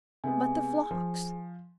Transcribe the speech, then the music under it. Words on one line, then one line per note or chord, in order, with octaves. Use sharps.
"But the flocks!"
C3 G#3 B3 G#4 G#5
F3